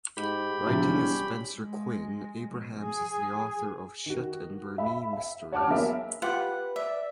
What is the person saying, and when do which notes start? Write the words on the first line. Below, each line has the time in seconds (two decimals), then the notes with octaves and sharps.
Writing as Spencer Quinn, Abrahams is the author of the Chet and Bernie Mysteries.
0.17 G#2 G4 B5
0.67 E1 C3 F3 E4
0.87 G2 C#4
1.56 G#3
2.49 B2
2.80 G#4
4.06 D#3 F#4
4.78 E5 B5
5.13 E5
5.52 C#5 F#5 A5 D6 F6
5.68 F#3 A#3 B3 G#4 A#4 E5
6.22 F4 G4 B4 F#5
6.76 D5 E5